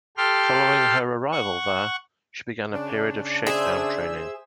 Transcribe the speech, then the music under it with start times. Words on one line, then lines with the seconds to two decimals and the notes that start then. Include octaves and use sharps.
Following her arrival there, she began a period of shakedown training.
0.17 G4 A4 G5 C6 F6
1.32 F#5 C#6
2.73 C#3 D4 D5
3.47 G#4 C5 D5 E5 E6